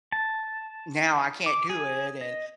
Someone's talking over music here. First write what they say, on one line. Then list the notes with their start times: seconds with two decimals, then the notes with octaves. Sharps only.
now I can't do it, and,
0.12 A5
1.46 D6
1.70 G#4
2.21 D#5